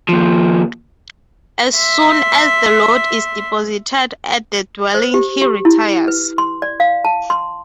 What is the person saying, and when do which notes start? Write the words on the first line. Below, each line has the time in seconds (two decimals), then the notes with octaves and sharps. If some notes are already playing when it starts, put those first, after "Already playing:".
As soon as the load is deposited at the dwelling, he retires.
0.09 D#2 F3
1.76 E5 C6
4.94 C5
5.14 G4
5.41 G4
5.65 E4
6.08 B4
6.38 C6
6.62 D5
6.80 F5
7.05 A5
7.30 C6